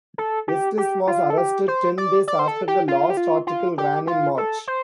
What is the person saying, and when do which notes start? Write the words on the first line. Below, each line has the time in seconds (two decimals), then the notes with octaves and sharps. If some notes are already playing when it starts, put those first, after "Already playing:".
Estes was arrested ten days after the last article ran in March.
0.18 A4
0.48 G4
0.78 G4
1.07 F4
1.30 A4
1.38 G4
1.68 C5
1.98 D5
2.28 D5
2.39 C5
2.48 A4
2.68 G4
2.88 F4
3.10 G4
3.17 F4
3.47 F4
3.78 G4
4.07 F4
4.38 A4
4.67 C5